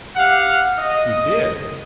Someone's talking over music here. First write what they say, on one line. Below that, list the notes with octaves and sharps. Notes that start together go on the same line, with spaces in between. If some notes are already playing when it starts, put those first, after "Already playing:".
"You did!"
G4 F5 F#5
D#5